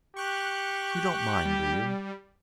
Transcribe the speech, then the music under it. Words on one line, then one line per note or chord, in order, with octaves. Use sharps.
You don't mind, do you?
G4 C#6 F#6
G3